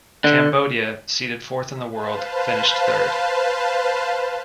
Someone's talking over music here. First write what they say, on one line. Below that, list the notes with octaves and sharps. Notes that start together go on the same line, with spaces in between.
Cambodia, seeded fourth in the world, finished third.
D3
B4 C5 F5 A5